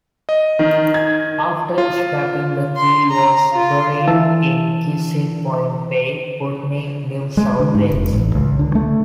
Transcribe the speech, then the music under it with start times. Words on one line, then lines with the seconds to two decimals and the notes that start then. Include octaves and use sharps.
After scrapping, the keel was buried in Kissing Point Bay, Putney, New South Wales.
0.29 D#5
0.59 D#3
0.94 G#6
1.78 F4
2.76 C6
3.11 A#5
3.53 F4
4.08 E3 A5 E6
7.37 G#3
7.60 D3
7.75 G#2
7.92 F1
8.13 A1
8.35 C#2
8.59 D3
8.75 A3